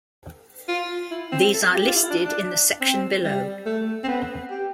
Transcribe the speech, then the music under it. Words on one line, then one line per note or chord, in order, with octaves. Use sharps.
These are listed in the section below.
F4
E4
C4
A4
G4
F4
E4
D4
D4
C4
G3
A3
C4
B3
G4